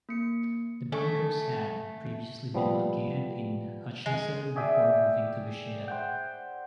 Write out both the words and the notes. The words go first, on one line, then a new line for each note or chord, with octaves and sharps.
The Broncos had previously been located in Hutchinson before moving to Wichita.
A#3 C#7
A3 G#5 C#6
F3 G3 B3
G#3
G#4 D5 E5 G5
C5 F#5 G5